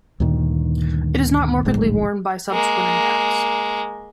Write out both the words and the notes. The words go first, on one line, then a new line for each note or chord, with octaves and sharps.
It is not markedly worn by subsequent impacts.
D2 G2 A#2 D#3
D1 A#1 G#2 G#3
G#3 A#3